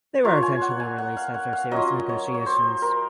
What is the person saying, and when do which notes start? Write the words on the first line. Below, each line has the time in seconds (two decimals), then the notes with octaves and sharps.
They were eventually released after series negotiations.
0.24 A#3 F4 C#5
0.43 G#5
0.61 F#5
0.80 G#5
0.98 F#5
1.17 F5
1.34 F#5
1.53 F5
1.71 F#3 C#4 F4 D#5
2.09 C#5
2.34 C#5
2.46 C5
2.63 C5
2.82 A#4